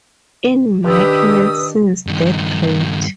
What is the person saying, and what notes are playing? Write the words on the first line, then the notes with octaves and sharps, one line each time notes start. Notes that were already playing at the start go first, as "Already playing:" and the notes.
In Mike Nelson's Death Rat!
D#3 D4 G4 B4 D#6 E6
G2 D#3